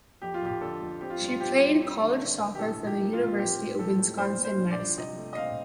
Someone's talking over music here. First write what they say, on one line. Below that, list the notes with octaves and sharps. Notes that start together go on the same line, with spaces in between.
She played college soccer for the University of Wisconsin–Madison.
F2 G4
F4
F2 G4
D3 A4
F2
C4 G4
F4
G2
F4
C4 G4
G2
C4
D3
D3
D3
G4
A2 A4
F3
G4
A#3
F4
F3
C4 G4
A2
F3 A4
A2
G2 C5
G2
C5
G2
D5
F3
C3 D#5
A3
D#5
C4 F5